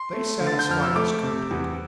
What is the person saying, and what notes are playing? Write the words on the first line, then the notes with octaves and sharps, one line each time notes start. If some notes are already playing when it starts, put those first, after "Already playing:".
They satisfy us completely.
Already playing: C6
A3
D3
A6
G6
F2 F6
E6
A3 D6
C3
E2